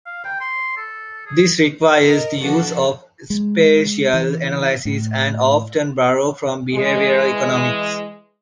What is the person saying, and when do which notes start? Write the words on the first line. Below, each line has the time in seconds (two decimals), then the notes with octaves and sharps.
This requires the use of spatial analysis and often borrows from behavioral economics.
0.06 F5
0.25 G5
0.41 C6
0.77 A4
1.27 G#4
2.02 A#4 D#5
2.40 F3 B3 D4 F#4 A4
3.30 G#3
4.14 E3
4.85 A2
6.74 E3 G#3